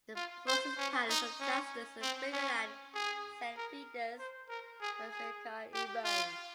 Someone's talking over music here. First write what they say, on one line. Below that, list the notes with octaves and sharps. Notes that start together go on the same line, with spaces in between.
The Brussels Palace of Justice is bigger than Saint Peter's Basilica in Rome.
F4
C5
C#4
D#4
C#4
C4
C#4
G#4
A#4
C5
A#4
G#4
G#4
G4
F4